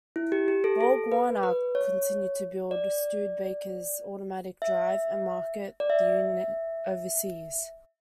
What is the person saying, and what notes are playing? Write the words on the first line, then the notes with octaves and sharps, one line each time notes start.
Borg-Warner continued to build Studebaker's Automatic Drive and market the unit overseas.
E4
G4
G4
A4
A4
B4
B4
C#5
D5
E5
D5
E5